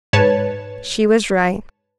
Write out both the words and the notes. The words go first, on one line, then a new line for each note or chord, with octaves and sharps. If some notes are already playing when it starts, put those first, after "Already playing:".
She was right.
G#2 B4 C#5 A5